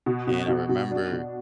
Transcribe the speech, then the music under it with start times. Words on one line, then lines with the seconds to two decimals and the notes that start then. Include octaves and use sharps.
and I remember,
0.06 B2
0.27 B2
0.48 B2
0.69 B2
0.91 D4
1.12 B2